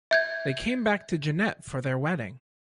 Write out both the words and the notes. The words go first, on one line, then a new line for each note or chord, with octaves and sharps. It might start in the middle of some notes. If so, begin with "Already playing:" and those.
They came back to Jeannette for their wedding.
E5 G6 G#6